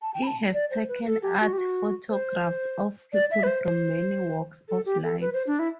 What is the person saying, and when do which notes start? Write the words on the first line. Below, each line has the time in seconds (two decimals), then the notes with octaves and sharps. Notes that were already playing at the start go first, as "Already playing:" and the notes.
He has taken art photographs of people from many walks of life.
0.02 A5
0.14 G5
0.23 B5
0.27 A5
0.53 D5
0.71 C5
0.88 B4
1.06 A4
1.22 G4
1.40 F#4
1.53 G4
1.58 F#4
2.10 C5
3.13 D5
3.31 E5
3.43 B4
3.47 C5
3.65 C5
4.69 A4
4.86 G4
5.04 A4
5.21 B4
5.34 C5
5.47 D4
5.59 E4